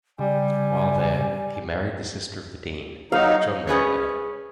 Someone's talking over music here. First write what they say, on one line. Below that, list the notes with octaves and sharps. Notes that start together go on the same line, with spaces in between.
While there he married the sister of the Dean, John Merryweather.
C#3 G3 G#5
F#3 D#4 F5
C#4 G#4 B4 C#5